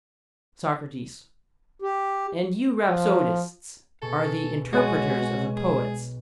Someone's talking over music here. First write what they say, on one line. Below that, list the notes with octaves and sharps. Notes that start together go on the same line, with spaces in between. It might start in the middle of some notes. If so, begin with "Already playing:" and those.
SOCRATES: And you rhapsodists are the interpreters of the poets?
G4
F3
B2 G#4 A4 C#6
B1 G#3 F#4 C#5 G#5
G#4